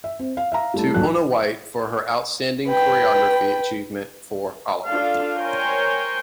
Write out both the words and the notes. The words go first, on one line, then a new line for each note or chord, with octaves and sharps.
"To Onna White for her outstanding choreography achievement for "Oliver!
E5
C4
F5
E5 F5 A#5
G3 A3 E4
D#1 B1 F#3 A3 F#6
B4 G5
D4 F4 A4 F5
A#4 C5 C#5 G5 G#5 C6